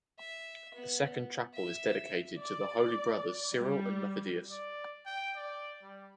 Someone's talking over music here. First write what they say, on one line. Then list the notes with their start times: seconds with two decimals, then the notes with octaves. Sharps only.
The second chapel is dedicated to the Holy Brothers Cyril and Methodius.
0.19 E5
0.74 B3
1.54 E5
2.38 D5
3.56 G3
4.51 D5
5.06 G5
5.36 D5
5.83 G3